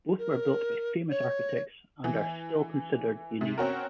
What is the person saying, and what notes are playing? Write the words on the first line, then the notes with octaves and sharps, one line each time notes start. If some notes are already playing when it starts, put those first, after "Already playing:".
Both were built by famous architects and are still considered unique.
A#4
C#5
E3
C3
C4 C#4 F#4 A#4